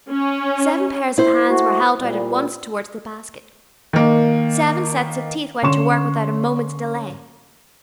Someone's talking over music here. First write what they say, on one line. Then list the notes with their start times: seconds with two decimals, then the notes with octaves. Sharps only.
Seven pairs of hands were held out at once toward the basket; seven sets of teeth went to work without a moment's delay.
0.11 C#4
1.18 E4 C5
1.49 A3 F#4
2.00 A#2 G3
3.93 D#3 A#3
5.62 D3 C#4 C6 C#6 E7